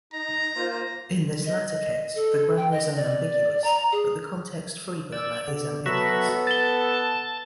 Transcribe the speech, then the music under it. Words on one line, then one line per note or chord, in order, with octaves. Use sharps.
In this latter case the grammar is unambiguous, but the context-free grammar is ambiguous.
D#4 A#5
A#3 F4 C5
D#5
A4
G5
D#5
D5
A#5
G#4
D5 E6
D3
F#3 B3 F#4 A4 E5
A5 A6 G7